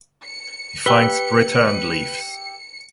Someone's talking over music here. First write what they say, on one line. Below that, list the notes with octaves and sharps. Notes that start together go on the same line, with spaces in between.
He finds Britta and leaves.
C#7
G4 B4 E6 G7